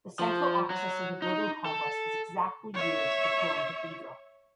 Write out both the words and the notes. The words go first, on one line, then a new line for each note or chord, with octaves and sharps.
The central axis of the building complex is exactly geared to the Cologne Cathedral.
F3
F#3
D#4
A4
C#5 E5